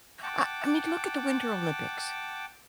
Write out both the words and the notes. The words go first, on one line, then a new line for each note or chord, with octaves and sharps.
I I mean look at the Winter Olympics.
F#5 G5 A5 D6